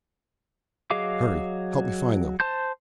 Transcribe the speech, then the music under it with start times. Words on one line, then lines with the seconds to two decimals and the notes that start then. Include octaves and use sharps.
"Hurry, help me find them."
0.91 F#3 G#4 D#5 F5 D6
2.40 C5 A5 C6 G6